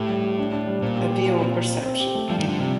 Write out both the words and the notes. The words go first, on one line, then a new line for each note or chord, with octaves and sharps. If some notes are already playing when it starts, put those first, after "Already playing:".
A view on perception.
Already playing: A2 G4 A4
G3
G4
D4
D4
G3
A#2 C5
G4
G4
F4
C4
C4
C4
C4
G4
A3
G2 F3
D#3
D3 F3
C3 G3